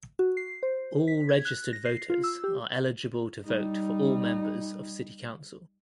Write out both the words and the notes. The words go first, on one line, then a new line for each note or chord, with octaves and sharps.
All registered voters are eligible to vote for all members of City Council.
F#4
C7
C5
B6
G#6
F#6
A#6
C7
F4
E6
G4
G3 D#4